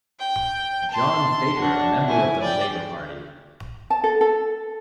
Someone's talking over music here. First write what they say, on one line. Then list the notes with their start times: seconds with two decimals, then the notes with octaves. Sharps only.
John Faker, a member of the Labor Party.
0.19 G5
0.91 A5 C6
1.59 D4 F#4
2.07 E4 G#5
2.41 D5 G5
3.90 A5
4.04 A4
4.21 A4